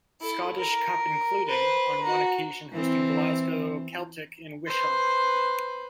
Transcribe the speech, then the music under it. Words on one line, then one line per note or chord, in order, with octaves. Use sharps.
Scottish Cup including, on one occasion hosting Glasgow Celtic in Wishaw.
E4 A4
A#4
B4 C5
F#4 A#5
E3 C4
B4 C5